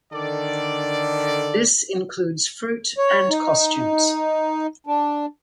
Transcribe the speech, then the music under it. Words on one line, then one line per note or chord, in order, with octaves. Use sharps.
This includes fruit and costumes.
D3 D#3 A4 D5
C#5
D#4
D4